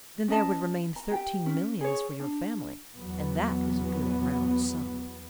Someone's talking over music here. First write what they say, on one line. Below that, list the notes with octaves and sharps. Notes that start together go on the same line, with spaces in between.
"Then there would remain thirteen millions for your family, and that is a good round sum."
C#4 D#5 A5
A#5
G4 G5
C#4
G#4 C#5
D4
E2 F#3 B3